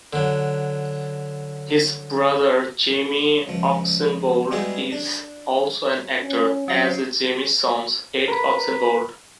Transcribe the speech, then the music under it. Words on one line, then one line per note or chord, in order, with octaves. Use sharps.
His brother Jamie Oxenbould is also an actor, as is Jamie's son, Ed Oxenbould.
D3 F#3
C#2 F3
G3 G#3 B3 E4 F#4 G#4
D4
C#4
F#3 C#4 C7
A#4 B4 A#5 B5